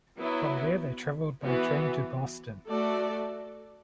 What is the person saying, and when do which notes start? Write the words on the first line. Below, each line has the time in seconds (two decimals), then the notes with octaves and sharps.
From there they traveled by train to Boston.
0.16 F#3 B3 E4
1.42 E3 B3 F#4
2.68 A3 F#4 A4 D5